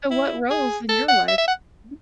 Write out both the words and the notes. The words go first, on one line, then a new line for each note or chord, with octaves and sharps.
so what roles in your life? Mhm.
E4
G#4
A4
F#5
E5
E5
F#5